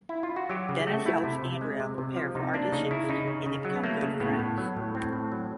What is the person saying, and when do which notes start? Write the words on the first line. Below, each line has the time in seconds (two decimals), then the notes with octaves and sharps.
Dennis helps Andrea prepare for auditions and they become good friends.
0.09 E4
0.23 F4
0.36 F#4
0.50 F#3 G4
0.69 C#3
0.87 A3 F#4
1.05 A3 E4
1.24 C3
1.43 C3
1.61 G#3
1.80 C3
1.98 C3
2.17 F3
2.35 C3 D#4
2.54 A#3 D4
2.72 C#3 D#4
2.91 C#3 E4
3.09 C#3 D#4
3.28 C#3
3.46 C#3
3.65 F#3
3.76 B3
3.83 A3 A#3
4.03 C#3
4.20 A2 B3
4.39 A2
4.58 F#3
4.77 A2
4.95 A2 C4
5.13 A2
5.32 F#3